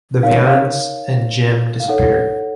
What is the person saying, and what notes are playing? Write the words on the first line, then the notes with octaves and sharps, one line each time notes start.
The Vians and Gem disappear.
D#4 A#4 C#5 F5
F5
F5
D#4 A4 C#5 F#5